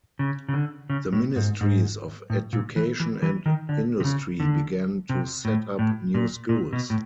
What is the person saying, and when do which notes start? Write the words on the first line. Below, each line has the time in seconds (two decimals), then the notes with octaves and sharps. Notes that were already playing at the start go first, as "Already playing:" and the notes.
The Ministries of Education and Industry began to set up new schools.
0.19 C#3
0.48 C#3
0.54 D3
0.90 C#3
1.13 A2
1.36 G#2
1.61 G#2
2.30 A2
2.53 A#2
2.76 E3
3.00 E3
3.22 E3
3.46 D#3
3.69 D3
4.00 C3
4.04 C#3
4.40 D3
5.09 C3
5.45 A2
5.79 A2
6.14 A#2
6.49 A#2
6.73 B2
6.90 A2